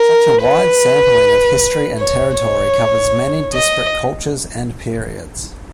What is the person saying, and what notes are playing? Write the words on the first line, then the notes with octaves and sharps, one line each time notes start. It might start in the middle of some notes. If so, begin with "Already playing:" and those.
Such a wide sampling of history and territory covers many disparate cultures and periods.
Already playing: A#4
B4
C#5
C#5
D#5